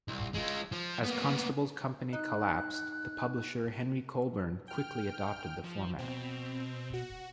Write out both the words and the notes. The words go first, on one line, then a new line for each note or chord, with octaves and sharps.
As Constable's company collapsed, the publisher Henry Colburn quickly adopted the format.
C2
G#3 F4
F3
A#3 B3
D#4 F#6
G5 F6
F3
B2 C4
F#4